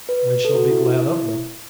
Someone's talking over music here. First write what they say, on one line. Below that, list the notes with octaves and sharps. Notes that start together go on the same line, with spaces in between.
I shall be glad of them.
B4
A4
F#4
E4
E4
E4